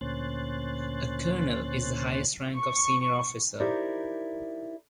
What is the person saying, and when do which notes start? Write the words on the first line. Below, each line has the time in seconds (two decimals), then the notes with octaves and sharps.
A colonel is the highest rank of senior officer.
0.01 D2 A#2 C#4 C5 F#6 A6
2.56 C#6
3.60 D#4 E4 G4 A#4 C5 D5